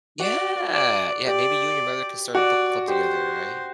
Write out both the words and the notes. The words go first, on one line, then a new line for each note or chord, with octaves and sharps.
Yeah, yeah maybe you and your mother can start a book club together, right?
F#4 D5
D5
G4 D5
F#4 D5
G4 C5